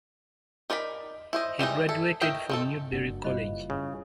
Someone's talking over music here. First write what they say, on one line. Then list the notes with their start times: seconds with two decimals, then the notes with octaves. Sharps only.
He graduated from Newberry College.
0.70 D#4 A#4 D5 F5 B5
1.33 E4 C5 D#5
1.59 E3 G3 G#3 D#4
1.89 E4 A4
2.21 A3 E4 A#4 D#5 G5
2.50 D#3 C4 A4
2.93 F#1 G2 A#3 D4 F#4
3.24 G3 E4 F4 C5 D#5 B5
3.70 C#3